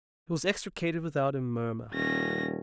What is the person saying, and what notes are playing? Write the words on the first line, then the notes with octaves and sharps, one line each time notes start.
He was extricated without a murmur.
D#1 C#4 A#6